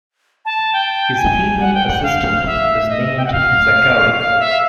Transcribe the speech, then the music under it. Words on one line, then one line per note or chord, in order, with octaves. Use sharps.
His female assistant is named Zachary.
A5
G5
G#5
F#5
G5
F#5
F5
E5
D#5
G5
F#5
F5
F5
E5